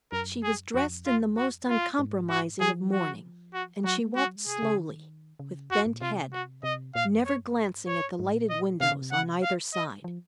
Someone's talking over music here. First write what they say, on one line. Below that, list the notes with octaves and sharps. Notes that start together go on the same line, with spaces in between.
She was dressed in the most uncompromising of mourning, and she walked slowly, with bent head, never glancing at the lighted windows on either side.
F#2 A#4
G#4
F2 F#4
F4
F#4
F4
G#2
F#4
F3 G#4
F#4
F#4
F#3 F#4
A#3
G#3 F#4
F#3
G#3
C3 G#4
C#3
D#3
C#3
F2 F#4
F#2
G#2
A#2
C3 F4
F#4
C#3
C3 D#5
A#2 F5
G#2
F#2
F2 C#5
G#2
F#2
G#2
F#2
G#2
C#5
G#2
A#2
D#5
C3 F5
C#3
C3
C#3 F#5
C3
F5
D#5
F3